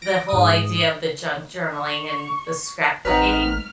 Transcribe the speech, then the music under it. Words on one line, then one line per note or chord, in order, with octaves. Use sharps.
the whole idea of the junk-journaling and the scrapbooking.
A#6 D7
G#2 D#6
C#6
A1 C4 D#4 B4 F#5 A#5 F6 B6